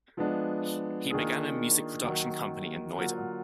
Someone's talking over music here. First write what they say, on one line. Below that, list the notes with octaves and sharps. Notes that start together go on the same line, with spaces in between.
He began a music production company in Noida.
F3 G#3 B3 D4
D#3 A#3 D4 F4 G#4
D#3 F#3 A#3
D3 F#3 A#3 F4